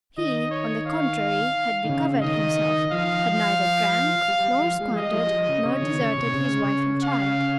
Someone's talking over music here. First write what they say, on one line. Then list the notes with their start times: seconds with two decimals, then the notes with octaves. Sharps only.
He, on the contrary, had recovered himself, had neither drunk nor squandered, nor deserted his wife and child.
0.17 D#3 D#5
0.51 C#5
0.86 F5
1.85 D#3
1.89 C#3
2.22 D#3 D#5
2.92 F3 F5
4.28 G3
4.62 F3
4.80 G#3
4.90 F3
4.97 G3 D#5
5.13 F3
5.32 F3
5.48 C#3
5.65 C#3 C#5
5.82 D#3
5.99 C#3
6.17 C3
6.34 C#3
7.03 F5